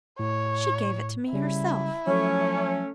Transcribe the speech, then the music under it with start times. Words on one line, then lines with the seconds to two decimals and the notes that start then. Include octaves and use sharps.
"She gave it to me herself."
0.19 A2 C#5
1.33 C#3 G3 C#4 E4
2.07 F3 F#3 A3 C#4 C#5